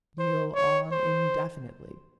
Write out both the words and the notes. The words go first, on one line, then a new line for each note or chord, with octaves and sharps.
Kneel on indefinitely.
C5
C#5
C5